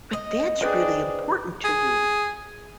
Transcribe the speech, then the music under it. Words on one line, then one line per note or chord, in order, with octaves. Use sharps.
but that's really important to you.
D#5
D4 G#4 B4 C5 G5
G#4